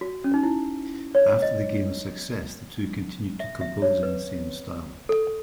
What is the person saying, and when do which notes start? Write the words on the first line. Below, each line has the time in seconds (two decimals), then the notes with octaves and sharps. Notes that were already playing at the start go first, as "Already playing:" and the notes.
After the game's success, the two continued to compose in the same style.
0.01 F#4
0.24 C#4
0.34 D#4
0.43 E4
1.15 C#5
1.42 D#5
3.40 E5
3.61 E5
3.82 C#5
4.03 B4
5.09 A4